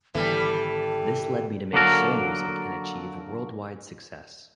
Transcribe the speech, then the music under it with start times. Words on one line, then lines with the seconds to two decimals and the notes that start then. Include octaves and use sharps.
This led me to make soul music and achieve worldwide success.
0.15 G#1 D3 E3 G3 B3 A4
1.73 D3 F#3 A#3 F#4 A4 A#4